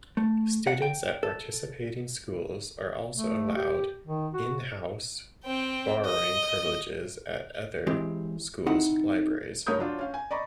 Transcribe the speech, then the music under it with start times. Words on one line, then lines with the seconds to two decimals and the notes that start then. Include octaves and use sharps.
Students at participating schools are also allowed "in-house" borrowing privileges at other schools' libraries.
0.17 A3
0.67 F#5
0.82 G5
1.23 A4
3.14 A3
3.56 G4
4.07 D#3
4.33 F#4
5.45 C4 G5
6.05 D#5
7.87 E3 G#3 C4 G4
8.67 C4 D#4 E4 F#5
9.66 G2 A#4 C#5 D#6 G6
9.79 F#3 D4 F4
9.99 C#4 F5
10.14 G#5
10.31 D5 D#5 A#5 B5 C#6